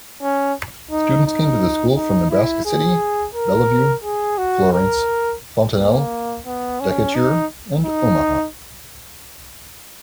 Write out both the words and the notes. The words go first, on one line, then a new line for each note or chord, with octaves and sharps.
Students came to the school from Nebraska City, Bellevue, Florence, Fontanelle, Decatur and Omaha.
C#4
D#4
D#4
D#4
E4
G#4
A#4
G#4
F#4
A#4
A#3
B3
C#4
D#4
D#4